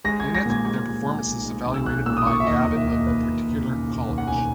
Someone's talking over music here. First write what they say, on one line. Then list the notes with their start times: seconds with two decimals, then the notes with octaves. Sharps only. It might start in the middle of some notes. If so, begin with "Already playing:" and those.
In it their performance is evaluated by the abbot of the particular college.
0.04 G#3 A#6
0.20 G#3 G#6
0.35 A#6
0.45 A#2 G#6
0.65 G#3 G#6
0.85 G#3
1.06 G#3
1.26 B1
1.45 G#3
1.66 B1
1.74 E6
1.86 B1 F#6
2.06 A#2 E6
2.17 D#6
2.26 A#2 C#6
2.40 E5
2.47 D#2 D#5
2.67 E1
2.77 E5
2.87 D#2 D#5
3.07 E1 B4
3.27 E1
3.48 E1
3.67 C#3
3.88 E1
4.07 D#2
4.18 F#5
4.27 E1 G#5